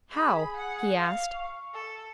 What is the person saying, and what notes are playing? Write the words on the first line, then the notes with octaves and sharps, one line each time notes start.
"How?" he asked.
G#4 B5
F#5
F5
C#6
A4